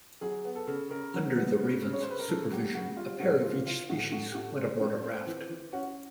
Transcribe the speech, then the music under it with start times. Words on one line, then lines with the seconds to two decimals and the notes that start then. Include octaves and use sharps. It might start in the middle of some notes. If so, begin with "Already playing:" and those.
Under the Raven's supervision a pair of each species went aboard a raft.
0.21 F#3 G#4
0.44 B3
0.55 A4
0.67 C#3
0.90 C#3 A#4
1.14 F#3
1.37 B3
1.59 C#3
1.82 C#3
1.93 C#5
2.02 C5
2.06 C#3 B4
2.19 A#4
2.28 C#3 A4
2.51 F#3 G4
2.74 C#3 F#4
2.97 G3 F4
3.19 A2 F#4
3.43 E3 F4
3.66 E3 F4
3.89 A2 F#4
4.11 A2 F#4
4.31 G4
4.34 A2 F#4
4.57 C4
4.81 A2
5.03 C4
5.27 E3
5.49 E3
5.72 C#4 F#4